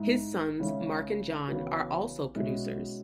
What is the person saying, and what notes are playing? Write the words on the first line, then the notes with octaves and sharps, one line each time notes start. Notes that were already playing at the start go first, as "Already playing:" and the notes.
His sons, Mark and John, are also producers.
Already playing: G#2 G#3 E4
C#3 G#3 C#4 E4
C#3 E3 B3 F#4
B2 G#3 C#4 E4